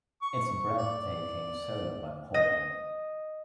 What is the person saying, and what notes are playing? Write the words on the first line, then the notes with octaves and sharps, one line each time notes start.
It's a breathtaking solo by Paul.
C#6
D5
D#5